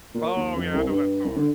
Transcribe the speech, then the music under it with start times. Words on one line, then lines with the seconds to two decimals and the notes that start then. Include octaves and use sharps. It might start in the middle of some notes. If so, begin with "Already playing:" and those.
Oh yeah, I know that song,
0.14 A#2
0.36 D#2
0.56 F2
0.74 C2
0.89 G2
1.25 C2
1.36 D3